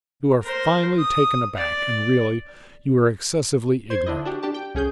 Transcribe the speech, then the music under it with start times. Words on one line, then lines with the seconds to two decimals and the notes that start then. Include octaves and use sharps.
You are finely taken aback, and really, you are excessively ignorant.
0.42 A#4 C5
0.98 D#6
1.57 D5
3.90 C5 C6 G#6
4.06 D3 D4 E4 D#5
4.25 D4 F#4 G4
4.43 D4 G4 A5
4.54 G5
4.75 C2 C#4 G#4 G6